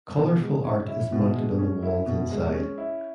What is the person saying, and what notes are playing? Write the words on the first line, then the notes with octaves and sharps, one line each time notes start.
Colourful art is mounted on the walls inside.
B2
G#3
C#4
E4
B2
G#3
C#4
E4
B2
G#3
C#4
E4